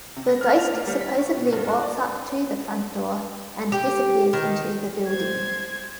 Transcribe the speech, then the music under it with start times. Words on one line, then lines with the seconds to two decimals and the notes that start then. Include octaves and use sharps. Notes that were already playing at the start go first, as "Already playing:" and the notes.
The ghost supposedly walks up to the front door and disappears into the building.
0.16 C3
0.29 A#6
0.41 F6
0.59 F7
0.74 A#3
0.87 G3
1.01 B6
1.19 C#6
1.37 B2
1.53 G2
1.68 F#4
1.83 D5
3.72 G4
4.33 D#3
5.07 C5 G#6